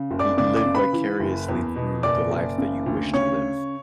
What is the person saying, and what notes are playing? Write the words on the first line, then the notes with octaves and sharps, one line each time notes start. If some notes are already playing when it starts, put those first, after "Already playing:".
l live vicariously through the life that you wish to live.
Already playing: C#3
F#1
D5 D6
C#3 D5 D6
D5 D6
C#3
B4 B5
E3
F#1
E2
B2
F#1 D5 D6
F#1
C#3
D2
C#3 C#5 C#6